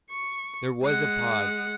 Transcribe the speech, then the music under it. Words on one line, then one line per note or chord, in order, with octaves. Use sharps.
There was a pause.
C#6
G#3 F#5